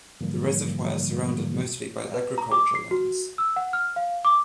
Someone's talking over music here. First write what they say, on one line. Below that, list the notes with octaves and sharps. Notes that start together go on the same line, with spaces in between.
The reservoir is surrounded mostly by agriculture lands.
G#2 D3 E3 F3 G3 A#3
B4
A#5
D6
C7
F#4
E6
F#5
F6
F5
D6